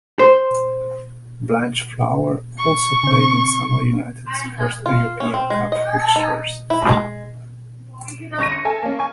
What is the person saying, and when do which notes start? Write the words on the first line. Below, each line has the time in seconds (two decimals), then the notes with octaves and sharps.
Blanchflower also played in some of United's first European Cup fixtures.
0.19 C5
2.59 C#6
3.03 C#3 C4
4.86 F4
5.20 C#4
5.34 C4
5.50 G#3
5.72 D#5
6.16 D#4
6.70 E4
6.88 G#3
8.39 G1 C#6 A#6 D#7
8.52 C#7
8.65 A4 E5 G#5 A5
8.83 A#3 C#4
8.99 G#5 C#6